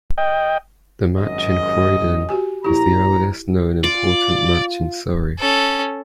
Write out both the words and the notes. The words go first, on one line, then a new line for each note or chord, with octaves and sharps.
The match in Croydon is the earliest known important match in Surrey.
D#5 G5
G#1 F#2 D#5
F#4 G4 G#5
A#1 E4 G4 A#5
F4 D5
C#4 A4